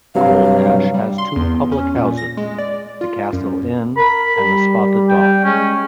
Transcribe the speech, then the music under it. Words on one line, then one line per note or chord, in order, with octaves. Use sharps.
Cold Ash has two public houses, the Castle Inn and the Spotted Dog.
G2 C3 F#3 F5
G3
C6
E2
C#4
A#2
A#6
G#3
D5
F4
F#2
A#4 B5
G3
G5
G#3 C#4